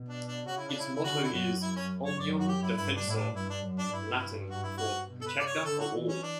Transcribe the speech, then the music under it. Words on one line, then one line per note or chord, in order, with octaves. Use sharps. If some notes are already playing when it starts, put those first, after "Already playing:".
Its motto is "Omnium Defensor", Latin for "Protector of All".
Already playing: B2
D4
D4
C#3 F#4
E4
D4
E4
E4
D3 F#4
E4
F#2 F#4
E4
C#4
C#5
F#2 D5
F#4
G4
E4
G2 E4
D4
A2 E4
D4
G2 E4
D4
F#2
D4
G2 E4
F#4
E4
F#4
B2
A4
B4
C#3 D5
C#5
D3 A4
F#4
E3
C#4
D4